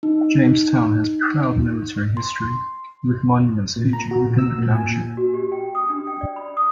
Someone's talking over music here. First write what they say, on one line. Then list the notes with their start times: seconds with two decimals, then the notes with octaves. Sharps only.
Jamestown has proud military history, with monuments featured within the township.
0.03 D#4
2.17 C6
3.76 A#2
3.93 A#5
4.11 F#4
4.25 A#2
4.38 E6
4.58 A#2
4.75 G#5
5.17 F#4
5.34 G4
5.52 G5
5.75 D#6
5.90 D4
6.07 G5
6.21 D5
6.36 B5
6.57 D#6